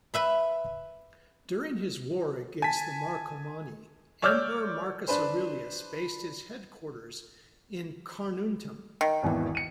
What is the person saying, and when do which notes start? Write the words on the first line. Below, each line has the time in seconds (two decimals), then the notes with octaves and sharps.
During his war against the Marcomanni, Emperor Marcus Aurelius based his headquarters in Carnuntum.
0.14 B4 E5 B5
2.62 G#5 A5 B6
4.22 C#5 D5 D6 E6 F6 G6
5.08 D4 B4 C5
9.01 D#3
9.23 G#1 E2 E3
9.55 C#7 D#7